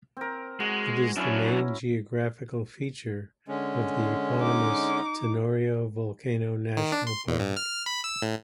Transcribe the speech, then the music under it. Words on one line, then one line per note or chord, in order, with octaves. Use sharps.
It is the main geographical feature of the eponymous Tenorio Volcano National Park.
C4 A#4
G#3 F#4
F#3 C#4 D4 E4
D3 G#3 C#4
D#4 D6
D#3
D4
C6
E2
G2
F6
B5
E6
A2